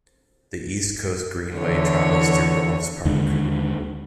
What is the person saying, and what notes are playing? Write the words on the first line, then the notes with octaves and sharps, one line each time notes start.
The East Coast Greenway travels through Bronx Park.
E2 D3 C#5
D#2 D3 G#3